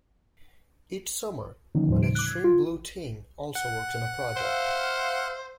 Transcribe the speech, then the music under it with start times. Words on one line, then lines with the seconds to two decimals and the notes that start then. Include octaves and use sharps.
Each summer an Extreme Blue team also works on a project.
1.75 D3 D#3 F3 A#3 C#4 D#4
1.88 D#2 A2 F3 G3 C5
2.02 C#3 D7
2.15 D6 F#6
2.27 G#6
2.44 F4
3.55 F#5
4.36 C5 E5 F5